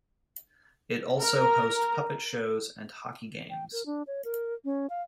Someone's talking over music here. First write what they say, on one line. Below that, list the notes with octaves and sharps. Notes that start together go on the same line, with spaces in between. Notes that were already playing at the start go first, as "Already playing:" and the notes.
It also host puppet shows and hockey games.
A#4
G5
A#4
D4
C#5
A#4
C#4
F5